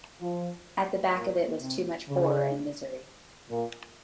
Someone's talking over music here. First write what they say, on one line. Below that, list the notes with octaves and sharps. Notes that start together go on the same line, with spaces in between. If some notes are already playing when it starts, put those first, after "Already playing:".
At the back of it was too much horror and misery.
F3
A#2
C3
C#3
A#2